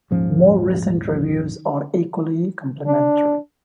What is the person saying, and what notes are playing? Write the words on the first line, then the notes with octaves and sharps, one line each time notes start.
More recent reviews are equally complimentary.
D#1 G#2 F3 C#4
D4